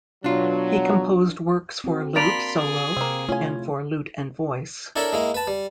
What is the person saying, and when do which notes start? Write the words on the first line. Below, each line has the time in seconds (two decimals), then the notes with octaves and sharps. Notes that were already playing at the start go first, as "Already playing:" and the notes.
He composed works for lute solo and for lute and voice.
0.24 B2 F#3 D4 F4
1.84 C4 F#4
2.16 A#3 D4 A#4 B5 C6 A6 D7 F7
2.58 G#4
2.97 C3 A#3 C4
3.29 A3 C#4 E4 F4 G#5
4.96 D4 E4 A4 A#4 C#5 E5
5.13 G#3 A#3 E4
5.34 B4 A5
5.47 G3